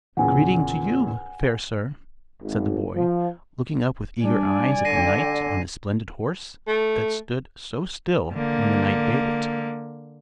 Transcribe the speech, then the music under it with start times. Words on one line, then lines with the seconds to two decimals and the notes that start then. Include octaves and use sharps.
"Greeting to you, fair sir," said the boy, looking up with eager eyes at the knight on his splendid horse, that stood so still when the knight bade it.
0.17 E2 A#2 C#3 F#5 G#5
2.42 G#1
2.95 F3
4.24 G3 D4 D5 G#5
4.85 D3 A#6 C7 D#7
6.68 A3
8.33 D3 A#3